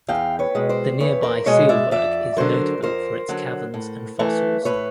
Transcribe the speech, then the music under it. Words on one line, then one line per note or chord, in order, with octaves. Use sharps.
The nearby Sielberg is notable for its caverns and fossils.
E2 F5 G5
B4 C#5
B2 G#3
C5 D5
E2 B4 C#5
A#4 C5
B2 G#3 C#5 D#5
D5 E5
F2 D5 E5
D3 F#3 A#4 C5
F2 A#4 C5
D3 F#3
A2
E3 A3
A2 B4 C#5